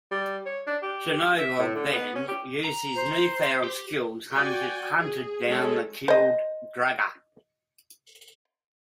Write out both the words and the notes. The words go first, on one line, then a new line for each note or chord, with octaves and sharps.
Chernevog then, using his new-found skills, hunted down and killed Draga.
G3
C#5
D4
G4
G4
E5
A2
D3
B3
C#4
G4
A#5
C5
G4
F#4 D5 G5 G#5
G#4
G#3 C#4 A4
C5 D#5